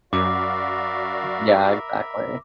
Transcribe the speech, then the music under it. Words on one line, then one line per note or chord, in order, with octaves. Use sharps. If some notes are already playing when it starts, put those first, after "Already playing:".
Yeah, exactly.
F#2 F#4 A#4 D5 E5 F5 B5 D6